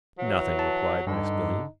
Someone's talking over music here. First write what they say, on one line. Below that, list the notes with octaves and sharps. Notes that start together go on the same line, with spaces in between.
"Nothing," replied Maximilian.
E3 F#3
A5
G2 D3 D#4